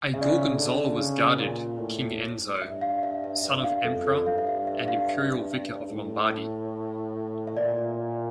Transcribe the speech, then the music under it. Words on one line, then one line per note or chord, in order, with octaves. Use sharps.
A Gorgonzola was guarded King Enzo, son of Emperor and Imperial Vicar of Lombardy.
C#3 E5
D5
E5
D3
C#3
A#2
A2
G2 E5
F5
E5
E5
G2 E5
F5
F2 A4
A4
G2 F5
E5
F5
E5
F5
E5
A2
E5
A#2 D5